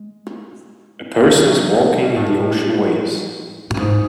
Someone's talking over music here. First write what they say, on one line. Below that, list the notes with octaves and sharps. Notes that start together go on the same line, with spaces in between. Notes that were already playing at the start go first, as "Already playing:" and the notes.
A person is walking in the ocean waves.
Already playing: G#3
F#3
B2
A2
A2
G#2